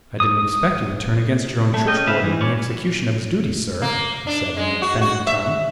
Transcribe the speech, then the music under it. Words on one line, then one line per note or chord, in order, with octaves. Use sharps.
"I didn't expect you would turn against your own churchwarden in the execution of his duty, sir," he said in an offended tone.
D#6
A3
C#4 D#5 G5
C#3 C4 B4 E5 F5
E3
C#4 C#5 D5
A#3
D4
G#3
F#4
F#4
E5